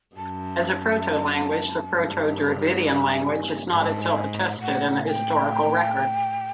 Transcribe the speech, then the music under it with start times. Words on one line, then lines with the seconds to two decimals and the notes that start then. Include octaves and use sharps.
As a proto-language, the Proto-Dravidian language is not itself attested in the historical record.
0.16 F#2 A5
1.94 G2
2.84 A5
2.88 G#5
3.72 G#2 A5
4.02 G#5
4.61 A2 F#5
5.06 G#5
5.09 G5